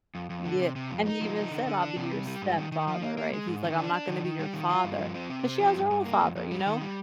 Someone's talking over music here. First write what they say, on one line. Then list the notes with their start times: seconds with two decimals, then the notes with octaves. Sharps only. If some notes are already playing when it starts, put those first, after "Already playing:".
Yeah, and he even said, "I'll be your stepfather," right, he's like, "I'm not gonna be your father," 'cause she has her own father, you know,
0.15 F2
0.30 F2
0.45 D3
0.61 C3
0.76 C3
0.91 F2
1.06 D#4
1.21 F3
1.36 D#4
1.51 D3
1.66 D3
1.82 D4
1.96 C3
2.12 G3
2.27 G3
2.42 G#2
2.57 D#3
2.72 D#3
2.87 F3
3.02 A#3
3.18 A#3
3.33 G#3
3.48 G#2
3.63 D#3
3.78 D4
3.94 D4
4.08 D#3
4.24 D#3
4.39 G3
4.54 D#3
4.69 F4
4.84 G2
5.00 F3
5.15 C4
5.30 C3
5.45 C4
5.60 F3
5.75 G2
5.91 G2
6.05 A#3
6.21 F2
6.36 F2
6.51 G3
6.66 D#3
6.82 G3